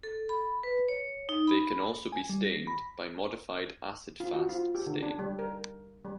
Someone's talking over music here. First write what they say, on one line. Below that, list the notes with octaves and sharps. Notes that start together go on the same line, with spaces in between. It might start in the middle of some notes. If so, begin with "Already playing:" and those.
They can also be stained by modified acid-fast stain.
A4
B5
B4
C#5
D#4
B5
G#5
G3
A#6
B5
F4
F#4
F4
G4
D3
D4
G3
A#4
G3